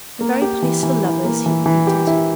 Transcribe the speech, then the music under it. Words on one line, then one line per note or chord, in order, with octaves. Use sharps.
"The very place for lovers," he repeated.
A#3
G4
E3
E3
E4
A#3
E3
E3
G4
E4